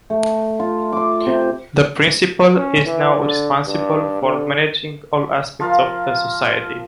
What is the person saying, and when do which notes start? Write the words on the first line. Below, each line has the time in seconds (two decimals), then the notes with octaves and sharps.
The Principal is now responsible for managing all aspects of the Society.
0.10 A3
0.60 F4
0.92 C6 D6
1.26 C3 G4
2.57 C#4
2.86 E3
3.15 D3
3.66 G2
4.23 D3
5.60 F3 F4 A#4 F5